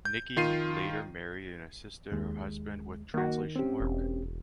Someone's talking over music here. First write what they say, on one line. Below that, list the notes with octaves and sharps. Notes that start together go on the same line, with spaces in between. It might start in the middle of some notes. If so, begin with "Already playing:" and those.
Niki later married and assisted her husband with translation work.
G6
D#3 F4 C7 D#7
D#2 G#3
D#3 A#3 F#4
C4 C#4 G4
E1